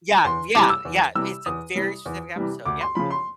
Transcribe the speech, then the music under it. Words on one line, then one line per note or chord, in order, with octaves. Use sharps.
Yeah, yeah, yeah, it's a very specific episode, yep, mhm.
E2 C6
C3 E3 G3 D6
E6
E2
C3 E3 G3 E6
E2 D#6
C3 E3 G3
E2
C3 E3 G3
D2 D6
C6
C#3 F3 B5
C6